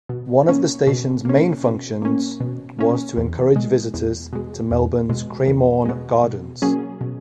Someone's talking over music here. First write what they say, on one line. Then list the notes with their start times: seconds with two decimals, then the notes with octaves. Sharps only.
One of the station's main functions was to encourage visitors to Melbourne's Cremorne Gardens.
0.09 B2
0.49 A#3 C#4
0.87 B2
1.25 A#3 C#4
1.64 B2
2.02 A#3 C#4
2.40 B2
2.79 A#3 C#4
3.17 E2
3.55 B2 G#3
3.94 E2
4.33 B2 G#3
4.71 E2
5.09 B2 G#3
5.47 E2
5.86 B2 G#3
6.24 B2
6.62 F#3 A#3 C#4 G#4
7.01 B2